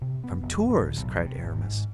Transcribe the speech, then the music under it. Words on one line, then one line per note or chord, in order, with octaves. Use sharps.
"From Tours!" cried Aramis.
C3
B3
F1
D1
B1
C3
G#1
G#2